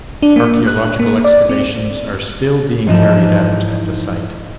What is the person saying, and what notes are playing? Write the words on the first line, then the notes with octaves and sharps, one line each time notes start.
Archaeological excavations are still being carried out at the site.
D4
A#3
F#6
A#3
D5
C4
G#2 E3 F3 D#4 E4 A5